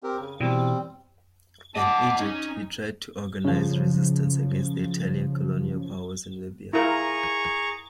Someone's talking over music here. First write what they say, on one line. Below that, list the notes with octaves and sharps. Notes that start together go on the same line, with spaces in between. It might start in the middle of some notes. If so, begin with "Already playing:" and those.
In Egypt, he tried to organize resistance against the Italian colonial powers in Libya.
C4 G4 A#4
C#3
B2 E3 G3 C4
D#5 F#5 A5 D6
C#4 D#4
C#3 F3
E4 F4 G#4 A#4 A#5 C#6